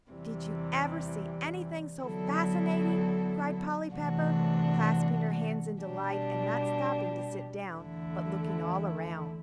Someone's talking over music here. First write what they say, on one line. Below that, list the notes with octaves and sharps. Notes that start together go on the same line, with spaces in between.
"Did you ever see anything so fascinating?" cried Polly Pepper, clasping her hands in delight, and not stopping to sit down, but looking all around.
E2 C3 E3 G3
D3 F#3 B3 E4 A4
C3 E3 A3 D4 F#4
B2 G3 D4 G4
E2 D3 A3 E4